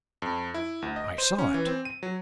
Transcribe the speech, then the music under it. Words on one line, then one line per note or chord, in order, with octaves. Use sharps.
"I saw it."
F2
E4
D2
D#5
C5
C#4
E3
C4
D#7
F#3